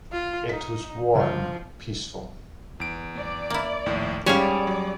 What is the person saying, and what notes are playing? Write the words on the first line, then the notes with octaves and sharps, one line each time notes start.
It was warm, peaceful.
F4
D#4 B6
G1 C#2 F3
E2 D7
D5
A#3 E4
A#1 D#2 A2
G#2 G3 C#4 G#4 C#5 D5 F5
F#3